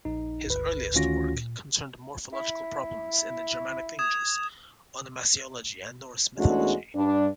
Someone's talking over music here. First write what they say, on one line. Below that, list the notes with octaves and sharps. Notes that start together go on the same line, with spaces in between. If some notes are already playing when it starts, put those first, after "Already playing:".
His earliest work concerned morphological problems in the Germanic languages, Onomasiology and Norse mythology.
A#1 D#4
G1 C#2 B4
D2 D#3 C#4 F4 F#4 A#6
A#2
E4
D#6 G#6 E7
E2 G#3 A3 C#4 D4 F#4
G2 D4